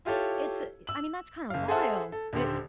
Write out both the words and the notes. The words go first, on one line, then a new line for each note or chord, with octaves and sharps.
it's i I mean, that's kinda wild, i
E4 F4 G4 A4 C#5
E6 F#7
F#1 F5
G#4 A4 C5 E5 F#5 A5
A4
D#1 D3 G4 C5